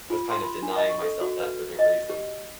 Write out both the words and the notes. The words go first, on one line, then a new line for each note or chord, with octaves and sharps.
was kind of denying myself that for no reason.
F4
C6
B5
D4
D#5
C#6
A4
F#4
B4
D#5
G4